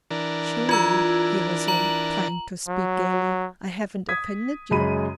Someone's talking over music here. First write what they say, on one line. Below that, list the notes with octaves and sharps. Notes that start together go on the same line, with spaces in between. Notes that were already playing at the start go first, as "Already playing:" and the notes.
"Surely," he resumed, trying to speak gayly, "I haven't offended you?"
E3 D4 A#4
F4 A#5 E6
A#5 F#7
F#3
D#6 G#6 B6
F#2 C#3 G#3 B5 D#7